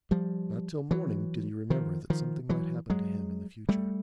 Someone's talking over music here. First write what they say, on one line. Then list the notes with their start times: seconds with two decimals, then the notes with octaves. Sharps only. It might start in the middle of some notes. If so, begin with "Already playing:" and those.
Not till morning did he remember that something might happen to him in the future.
0.11 F3 G3
0.91 E3 F#3
1.70 D#3 F3
2.10 D#3 F3
2.49 E3 F#3
2.90 F#3 G#3
3.69 G3 A3